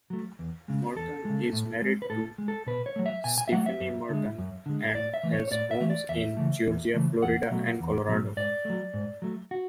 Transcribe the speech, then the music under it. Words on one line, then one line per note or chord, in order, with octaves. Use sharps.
Murton is married to Stephanie Murton and has homes in Georgia, Florida, and Colorado.
F#3 A3
E2
C#3 G#3
E2 A4
C#3 G#3
A2
G#3
B4
A2 A4
G#3
A4
B2 B4
C#5
F#3 A3
E5
B2 G#5
G#5
E5
F#3 A3 F#5
E5
F#2
D3 G#3
F#2
D3 G#3
A2 D5
E5
E3 A3
C#5
C#5
A2 D5
E5
E3 A3
D5
E2 E5
C#3 E3 A3
E2
C#3 E3 A3
E2 F#5
B2 F#3 A3
E2
B2 F#3 A3
G#2 D5
F#3 A3
G#2
F#3 A3
F#4